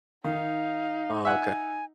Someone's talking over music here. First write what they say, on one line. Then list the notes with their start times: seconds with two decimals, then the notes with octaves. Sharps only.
Oh, okay.
0.24 D#3 D#4 F5
1.25 E5 F#5 G#5 F#6